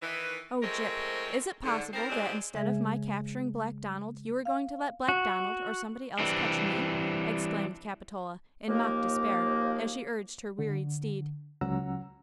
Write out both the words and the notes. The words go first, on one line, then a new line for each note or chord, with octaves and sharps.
"Oh, Gyp, is it possible that, instead of my capturing Black Donald, you are going to let Black Donald or somebody else catch me?" exclaimed Capitola, in mock despair, as she urged her wearied steed.
D#3 E3 B4
F3 G#3 A3 C4 A#4 C#5
G#2 D3
G3 C4 D#4 A#4
F#2 A2 C3 G#3 C4 D4
C#3 G#3 G#4 E5
F5
F#4
E3 G3 C4 D4
D#2 F3 A#3
D3
C#2 F#3 C#4 F#5 A#5 E6